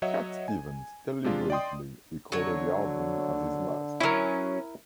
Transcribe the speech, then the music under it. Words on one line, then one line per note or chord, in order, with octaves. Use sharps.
Cat Stevens deliberately recorded the album as his last.
F#3 C#5 D#5 E5 F#5
G#5
C3 G#3 D4 F4
D5 D#5 G5 C6 D#6
D3 F#3 C#5
F#3 C#4 E4 A#4